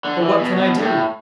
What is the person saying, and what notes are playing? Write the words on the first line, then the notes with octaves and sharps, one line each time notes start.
"But what can I do?"
D3
E3
B2
B2
G2
A2